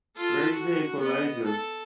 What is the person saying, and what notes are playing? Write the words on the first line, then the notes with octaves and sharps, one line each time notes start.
Where is the equalizer?
F4 A4
F#4
B3 D#5
A4